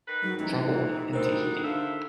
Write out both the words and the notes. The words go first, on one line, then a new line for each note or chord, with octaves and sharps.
Trouble in Tahiti.
D#3 B4
G#2 F#3
A1 C3 E3 D#4
D2 G3 G#3 F#4 A#4 C5 E6
G2 D3 F4 E5